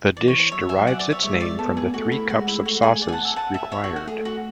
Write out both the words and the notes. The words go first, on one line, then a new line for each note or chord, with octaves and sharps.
The dish derives its name from the three cups of sauces required.
E3 D5
C#5
C#5
F#3 C#5 E5
E5 G#5
D5 F#5
D5
C#5 E5
G#3 C#5 E5
D5
B3 A4
G#4
A3 F#4
E4
G#3 F#4
E4
A3 F#4
G#4
D5 F#5
G#5
F#5 A5
E5 G#5
F#5 A5
E5 G#5
C#5 E5
F#4
F#4
A3 G#4
F#4